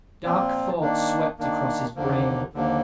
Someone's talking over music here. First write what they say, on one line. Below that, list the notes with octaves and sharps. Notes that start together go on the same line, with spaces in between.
Dark thoughts swept across his brain.
A#2 F3 C4 F4
D#3 A#3 D4
D#3 A#3 D4
D#2 D3 F3 A#3
D#2 D3 F3 A#3